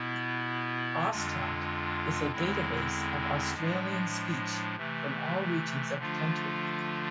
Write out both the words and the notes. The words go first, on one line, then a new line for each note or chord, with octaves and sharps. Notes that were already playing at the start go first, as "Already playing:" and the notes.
AusTalk is a database of Australian speech from all regions of the country.
Already playing: B2 B3 E4
F2 D3 G#3 D4 F4
E2 D3 G#3 C4 E4
A2 F3 G#3 D4
C3 E3 A3
D3 F3 A3 D4 F4